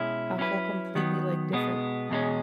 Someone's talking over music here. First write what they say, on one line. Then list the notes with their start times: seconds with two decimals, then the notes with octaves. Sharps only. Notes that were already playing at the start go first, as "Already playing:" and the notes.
a whole completely, like, different
Already playing: B2 G#3 C#4 E4
0.38 F#3 C#4 E4 G#4 B4
0.95 D#3 F#3 B3
1.53 B2 G#3 B3
2.10 E2 B2 G#3 C#4